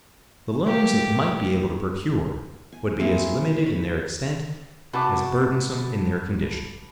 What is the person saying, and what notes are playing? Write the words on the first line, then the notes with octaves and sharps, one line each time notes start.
The loans it might be able to procure would be as limited in their extent as burdensome in their conditions.
A3 A#3 G4
G#5
A#3 C4 E4 G#4
C#5 B5
C3 F#4 B4 A5 D6